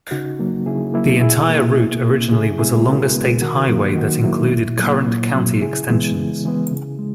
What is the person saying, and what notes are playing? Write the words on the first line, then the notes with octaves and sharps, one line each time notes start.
The entire route originally was a longer state highway that included current county extensions.
C#3 D#4 F#4
F#3 A#3
C#3 E4 G#4
F#3 A#3 E4
B2 E4 G#4
A#3
B2
A#3
C#3 E4 G#4
G#3 B3 E4 G#4
C#3 F#4 A#4
G#3 B3
D#3 F#4 A#4
F#3 A#3
D#3 D#4 F#4
F#3 A#3 E4
A#2
F#3 A#3
A#2
F#3 A#3
C#3 E4 G#4
E3 G#3 B3
C#3
E3 G#3 B3
C#3
G#3